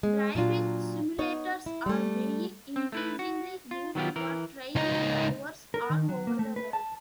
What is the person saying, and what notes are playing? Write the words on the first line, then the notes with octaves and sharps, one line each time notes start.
Driving simulators are being increasingly used for training drivers all over the world.
G#3
A#2 F#3 D4 F4
B3 D#4 C#5
E4
G3 A3
C4
A3 E4 B4
F#4
F4
D#3 F#3 B3 F4 G4
E3 A#4
C#2 D#4
A#4
D#3
F#3
A#3
A3
B4
A5